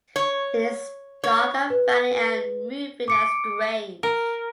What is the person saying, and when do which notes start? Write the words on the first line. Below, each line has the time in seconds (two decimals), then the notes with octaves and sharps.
It is dark and funny and moving and strange.
0.16 C#5
1.24 C#5
1.70 B4
3.08 D6 C#7 D7
4.03 A#4